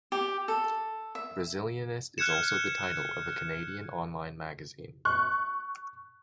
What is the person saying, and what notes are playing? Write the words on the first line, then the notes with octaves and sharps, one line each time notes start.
Brazilianist is also the title of a Canadian online magazine.
G4
A4
E5
F6 F#6 G#6 C#7 E7
C#6 F#6